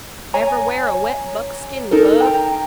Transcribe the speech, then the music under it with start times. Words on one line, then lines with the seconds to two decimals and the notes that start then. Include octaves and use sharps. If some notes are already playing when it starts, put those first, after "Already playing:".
Ever wear a wet buckskin glove?
0.34 C#5 G#5 A#5
1.91 D#4 A4 A#4
2.20 G5 A#5